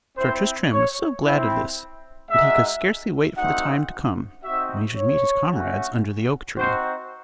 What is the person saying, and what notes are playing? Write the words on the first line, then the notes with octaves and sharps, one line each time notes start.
Sir Tristram was so glad of this that he could scarcely wait for the time to come when he should meet his comrades under the oak tree.
C4 E4 C5
C#5
C4 E4
G#3 D#4 F#4 E5
A3 C4 D#4 F#4 F#5
C4 D#4 F#4 E5
C#5
A3 C#4 F#4
C4 D#4 F#4 C5